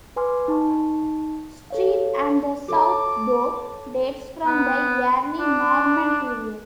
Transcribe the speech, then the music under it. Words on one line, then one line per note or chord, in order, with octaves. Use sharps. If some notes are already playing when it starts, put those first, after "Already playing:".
Street and the south door dates from the early Norman period.
B4 G#5 C6 D6 F6
D#4 A5 C#6
A4 C#5 F5
A4 C#5 A5 D6
B3
D4